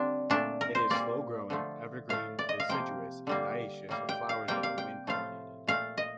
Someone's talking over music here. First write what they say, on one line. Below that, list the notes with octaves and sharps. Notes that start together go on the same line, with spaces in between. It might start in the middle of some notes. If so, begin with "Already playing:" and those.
It is slow-growing, evergreen to deciduous, and dioecious, with flowers that are wind-pollinated.
Already playing: D3 G3 A#3 C4 D4
A#2 A3 D4
A#4
C5
A#2 G3 A#3 D5
D3 F3 A3
A2 A3 F5
D5
D#5
F5
C3 F3 A#3 G5
D3 G3 A#3
A2 G3 A#3
G5
F5
C3 G3 A#3 G5
F5
G5
A2 F3 A3 F5
A#2 A3 F5
D#5